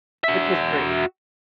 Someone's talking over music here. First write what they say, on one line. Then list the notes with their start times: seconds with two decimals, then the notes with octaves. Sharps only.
which is great.
0.24 F#4 E5